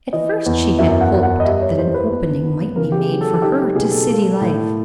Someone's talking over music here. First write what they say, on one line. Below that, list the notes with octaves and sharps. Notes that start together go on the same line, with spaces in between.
At first, she had hoped that an opening might be made for her to city life.
E3 D#5
E2
F#2 E5
F#5
F#2
F#5
D#5
G3 E5
C#5
E3 C5
B4
B3
B3
C#3 A#4
G4
G#4
F#3
A4
D#4 G4
G4
B2 G#4
A4
A#3
A2